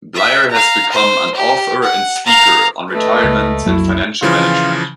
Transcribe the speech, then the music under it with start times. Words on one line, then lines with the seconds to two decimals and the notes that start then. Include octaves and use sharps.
Bleier has become an author and speaker on retirement and financial management.
0.15 E5
0.51 F5 A#5
0.92 C5
1.35 G4
1.82 F#5
2.26 F5 A#5
2.92 A3 B4 D#5
3.23 C#2 C#3 G#3
3.67 B1 F2 F#3 A#3 E4
4.22 C#3 E3 F3 F4